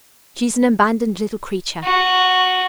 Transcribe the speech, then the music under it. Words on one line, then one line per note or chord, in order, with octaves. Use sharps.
'She is an abandoned little creature.'
F#4